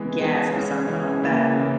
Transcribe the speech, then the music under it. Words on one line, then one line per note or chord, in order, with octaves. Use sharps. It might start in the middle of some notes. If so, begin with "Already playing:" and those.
gas, or something like that.
Already playing: E3 G#3 B3
E3 G#3 B3
E3 G#3 C#4
E3 G#3 C#4
C#3 E3 A#3 E4
C#3 E3 A#3 E4